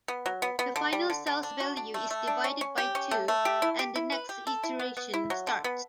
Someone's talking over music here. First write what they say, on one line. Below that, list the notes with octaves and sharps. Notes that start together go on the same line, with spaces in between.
The final cell's value is divided by two, and the next iteration starts.
B3
F#3
B3
B3
D3
G3
D3
D3
D4
F#4
D4
A3
A3
D4
C#4
C#4
G4
C#4
A3
A3
G4
E4
G4
E4
B4
G4
A4
E4
B3
B3
E4
F#3
D3
B3